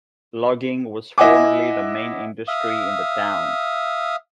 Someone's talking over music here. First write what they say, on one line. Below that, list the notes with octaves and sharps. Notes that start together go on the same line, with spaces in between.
Logging was formerly the main industry in the town.
E4 D#5 E5 F#5 G#5 D6
E5 F5 D#6